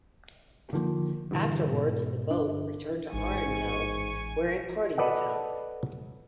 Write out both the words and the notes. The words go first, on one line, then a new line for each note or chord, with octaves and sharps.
Afterwards, the boat returned to Arendelle where a party was held.
D3 D#3 F3 A#3
G2 A#2 D3 E3
G#2 B2
G1 D4
A1 G#2 G#5 C#6
A4 B4 D5 D#5 F#5